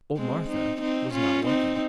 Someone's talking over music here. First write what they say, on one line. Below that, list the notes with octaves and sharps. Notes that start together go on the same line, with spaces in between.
Old Martha was not working.
G#3 C4
C4 D#4
C4 D#4
C#4 F4
C4 D#4